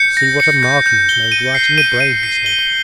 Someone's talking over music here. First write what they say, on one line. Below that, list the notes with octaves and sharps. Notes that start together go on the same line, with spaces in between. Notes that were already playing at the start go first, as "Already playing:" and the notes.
'See what a mark he has made right in the brain,' he said.
Already playing: G6 C#7
A#6
C#7
G6
G6
G7
D#7
C7
D#7
D#7
C7
G7